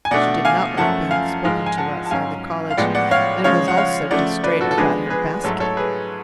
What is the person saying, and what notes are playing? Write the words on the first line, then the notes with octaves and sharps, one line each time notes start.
She did not like being spoken to outside the college, and was also distrait about her basket.
G#5
B2 A3 D4 D5 F#5
F5 G#5
F#2 F3 A3 C#4 F#5 A5
F5 G#5
G#2 F3 G#3 F5 G#5
G#5
F#5 A5
A5
G#2 F#3 C#4 F5 G#5
F5
A2 F3 G#3 B3 D5 F#5
D5 F#5
C#5 F5
C#3 F3 G#3 C#5 F5
F#5
C#5 F5
C#3 F3 A3 D5 F#5
B4 D5
F#4 A4
A4
D3 F3 G#3 B3 D4 G#4 B4
G#4 B4
G#2 F#3 A3 A4 C#5
A4 C#5
G#4 B4